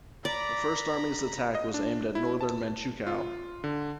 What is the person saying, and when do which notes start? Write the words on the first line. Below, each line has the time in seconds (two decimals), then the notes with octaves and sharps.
The First Army's attack was aimed at northern Manchukuo.
0.25 D5 A#5 B5
1.55 D#5
1.74 D4
2.15 E4
2.41 A5
3.07 F4
3.64 D3